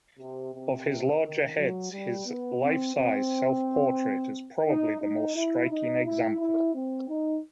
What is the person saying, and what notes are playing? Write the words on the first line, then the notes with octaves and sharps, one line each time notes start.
Of his larger heads, his life-size self-portrait is probably the most striking example.
C3
C3
D#3
F#3
G3
B3
C4
C4
D#4
D#4
E4
D#4
E4
E4
C4
D#4